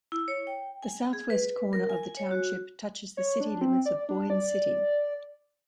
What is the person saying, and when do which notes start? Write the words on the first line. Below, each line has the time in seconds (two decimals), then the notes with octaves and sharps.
The southwest corner of the township touches the city limits of Boyne City.
0.12 E4
0.28 C#5
0.47 G5
0.83 G#5
1.13 G#4
1.30 B4
1.73 A#4
1.90 G#5
2.03 G#5
2.17 C#5
2.31 F#4
3.17 C#5
3.40 D4
3.61 C4
3.86 D5
4.09 D4
4.30 D5